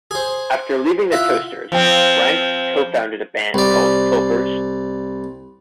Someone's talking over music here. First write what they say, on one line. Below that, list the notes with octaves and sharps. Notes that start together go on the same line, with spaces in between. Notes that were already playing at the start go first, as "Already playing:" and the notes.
After leaving the Toasters, Ranx co-founded a band called Pilfers.
G#4 C5
E4 F4 E5 F#5
F3 C4
C2 D5